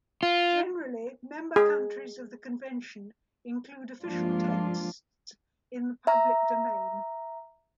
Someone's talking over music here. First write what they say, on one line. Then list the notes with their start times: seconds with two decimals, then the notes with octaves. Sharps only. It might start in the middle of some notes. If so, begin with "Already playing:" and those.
Generally, member countries of the Convention include official texts in the public domain.
0.23 F4
1.56 G#4
4.02 G2 F3 G#3 A#3 D4 F4
6.07 E5 A#5